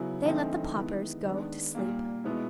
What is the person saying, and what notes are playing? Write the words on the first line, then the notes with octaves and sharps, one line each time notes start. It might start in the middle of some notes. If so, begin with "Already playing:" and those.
They let the paupers go to sleep!
Already playing: C#3 F#3 B3 E4
G2 E3 A3 C4 D#4
D#3 G#3 B3 E4
D#3 G#3 B3 D4
A#2 G3 A#3
B2 G#3 B3 E4